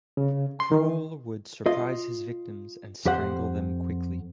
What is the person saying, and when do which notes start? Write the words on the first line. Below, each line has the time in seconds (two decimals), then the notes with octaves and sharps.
Kroll would surprise his victims and strangle them quickly.
0.17 C#3
0.60 C6
0.72 D#3
1.66 F4 D#5
3.05 F2 G4 C5 F#5